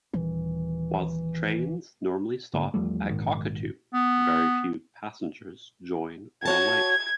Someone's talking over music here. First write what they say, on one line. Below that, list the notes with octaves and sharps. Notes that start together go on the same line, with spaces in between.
Whilst trains normally stop at Cockatoo, very few passengers join or alight.
D#1 D#2 E3
G#1 D3 A#3
E2 F3 G3 A3
A#1 G#2 D#3
B3
F#4 C#5 A5 G#6